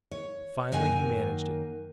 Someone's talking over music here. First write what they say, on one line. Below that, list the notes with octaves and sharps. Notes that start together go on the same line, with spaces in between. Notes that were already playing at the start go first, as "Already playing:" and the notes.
Finally he managed it.
C#5
F#2 D#3 F#3 A#3 G#5